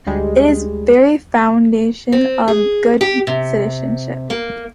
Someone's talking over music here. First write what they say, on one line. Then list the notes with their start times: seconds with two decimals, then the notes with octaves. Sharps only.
It is the very foundation of good citizenship.
0.06 D2 G3 G#3
2.12 C4
2.48 G#4
3.01 G4
3.27 C3
4.30 A#3